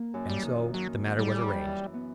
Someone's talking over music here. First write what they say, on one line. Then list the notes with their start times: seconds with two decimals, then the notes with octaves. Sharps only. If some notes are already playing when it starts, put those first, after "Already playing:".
And so the matter was arranged.
Already playing: A#3
0.14 F#2
0.30 G3
0.44 D#3
0.74 D#3 F#3
1.05 D#3
1.19 G3
1.34 F#2
1.64 E3
1.94 B3